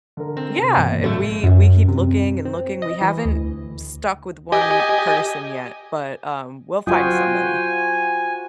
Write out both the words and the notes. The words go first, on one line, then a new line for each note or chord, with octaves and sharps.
Yeah, and we we keep looking and looking, we haven't stuck with one person yet, but, um, we'll find somebody.
D3 A#4
C4
C3
G2 B2 E3 A#3
A2 D3 F#3 A3 A4
F#2
C3
C4
D#5
E3
D2
G4 D#5 G#5
F#3 F4 F#4 C5 G5 G#5